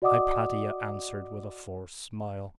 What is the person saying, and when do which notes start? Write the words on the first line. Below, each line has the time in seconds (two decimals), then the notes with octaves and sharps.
Hypatia answered with a forced smile.
0.02 F#4 D5 D#5 F#5 D6 D#6